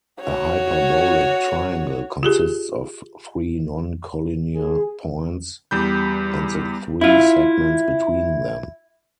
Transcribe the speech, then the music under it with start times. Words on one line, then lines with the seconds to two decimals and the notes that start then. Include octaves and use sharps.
A hyperbolic triangle consists of three non-collinear points and the three segments between them.
0.20 F#4 C#5
2.23 F4 G4 G#4
4.54 G#4
5.71 E2 G3 B5 G6
7.01 E4 F4